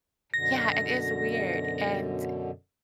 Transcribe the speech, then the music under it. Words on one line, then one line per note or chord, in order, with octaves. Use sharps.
Yeah, it is weird. And
F#2 B2 D3 A#6